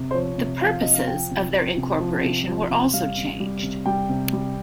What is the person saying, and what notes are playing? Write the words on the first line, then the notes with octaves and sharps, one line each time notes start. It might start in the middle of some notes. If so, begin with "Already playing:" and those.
The purposes of their incorporation were also changed.
Already playing: C3
C5
F3 C#5
C3
F3 F5
C3 D#5
F5
F3 G5
C3
F3
C3
F3
C3
F3
C3
G3 F5
C3
G3
C3
G3 G5
C3
G3